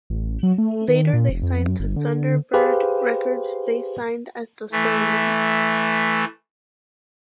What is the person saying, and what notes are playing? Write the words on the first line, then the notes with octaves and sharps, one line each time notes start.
Later they signed to Thunderbird Records they signed as The Sir Men.
A1
F#3
A3
D#3
A#2
F1
F2
F#2
G1
D3
G4 G#4 B4 C5 F5
E3 A3